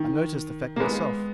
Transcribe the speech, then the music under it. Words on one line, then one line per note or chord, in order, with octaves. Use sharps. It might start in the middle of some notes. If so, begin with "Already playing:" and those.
'I noticed the fact myself.'
Already playing: D#3
A#3
G#3 B3